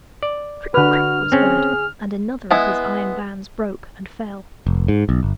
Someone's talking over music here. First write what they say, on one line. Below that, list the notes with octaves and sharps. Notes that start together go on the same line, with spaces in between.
Cric-crac was heard, and another of his iron bands broke and fell.
D5
D3 F#4 B4 F6
C4 C#4 G#4
G#3 B3 E4
F1
G#2
B1
G1